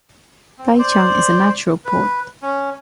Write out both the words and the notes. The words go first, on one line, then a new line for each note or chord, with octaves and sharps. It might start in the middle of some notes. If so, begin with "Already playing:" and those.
Taicang is a natural port.
C4
C5 D5
B4
C#4